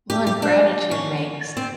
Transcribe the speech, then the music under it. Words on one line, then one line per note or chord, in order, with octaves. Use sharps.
Well, and gratitude makes
G4
G4
D4
C#4
C4